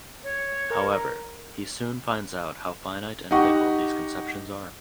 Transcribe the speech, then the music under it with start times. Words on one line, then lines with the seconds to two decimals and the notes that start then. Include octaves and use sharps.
However he soon finds out how finite and fickle these conceptions are.
0.24 C#5
0.70 A#4
3.31 D#4 G4 F#5 C#6